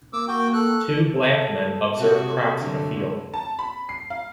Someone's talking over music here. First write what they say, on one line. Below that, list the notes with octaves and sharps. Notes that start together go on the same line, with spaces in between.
Two black men observe crops in a field.
A#3 D6 E6
F#4 G5
A4 F#6
A4
C3 A3 F#4
D3 A3
A5
B5
C7
F5